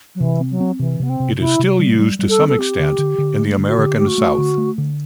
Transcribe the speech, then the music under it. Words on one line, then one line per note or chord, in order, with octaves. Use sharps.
It is still used to some extent in the American South.
F#3
C3 E3
C4
F#3
C4
C3 E3
C3 B3
C4
C3
C3 E4
C3
G3
G3
G3
A4
C4
A4
C4 G4
D3
D3
D3
A3
D3
F#4
D3 G4
A3 G4
F#4
A3
D3
A3
D3